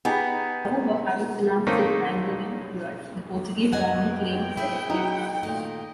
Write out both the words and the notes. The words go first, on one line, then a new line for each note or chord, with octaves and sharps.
However, having financed his Angolan years, the Portuguese government claimed the estate.
B3 D#4 G4 G#4
D#3 A3 A#3 C4 C#4 D#4
F#2 B3 D#5 F#5 G#5
G5
E4 G#4
F#3 D#4
A#2 D#3 A3 D#5